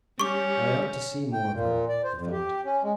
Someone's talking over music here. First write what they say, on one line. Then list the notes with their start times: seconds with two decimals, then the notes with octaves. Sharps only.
"I ought to see more of her," he thought.
0.19 G3 C#4 C#6 D6
1.33 G5
1.53 A#2
1.89 D5
2.04 C5
2.16 F2
2.32 G4
2.65 C#4
2.83 G#3